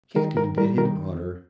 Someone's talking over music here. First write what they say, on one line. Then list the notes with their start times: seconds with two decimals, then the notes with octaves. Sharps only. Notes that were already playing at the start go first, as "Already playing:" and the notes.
Canton did him honor.
0.16 D#3 A#4
0.37 G#2 A#4
0.57 G3 A#4
0.78 D#3 A#4